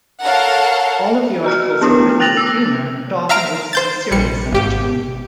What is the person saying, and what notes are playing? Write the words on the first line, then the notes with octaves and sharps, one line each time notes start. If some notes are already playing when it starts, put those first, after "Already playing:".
All of the articles are written with humour but often with some serious undertone.
A4 A#4 C#5 F5 F#5
F#4 A#5 F6
B3 D4 E4
A3
G5 F#6 A6 A#6 F7 F#7
D6 E6
E5 F5 A#5 F6 D7
C5 G6 A6
A#1 G3 C#7
G#1 G4